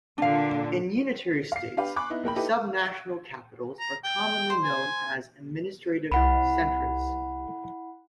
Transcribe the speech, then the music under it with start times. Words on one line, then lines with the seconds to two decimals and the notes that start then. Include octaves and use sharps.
In unitary states, subnational capitals are commonly known as "administrative centres".
0.18 A#2 D3 D4 F5
1.52 F5 C7
1.77 D4 G4 B4 F5
1.96 G#5 B5 C#6 D6 F#6
2.10 B3 D#4 E4
2.23 A#1 A#3 G5 B5
2.36 D#4 E4 G4 A4 B4
3.80 A#5
4.04 G5
4.50 C5
4.64 G#5
6.12 C2 E4 F#5 B5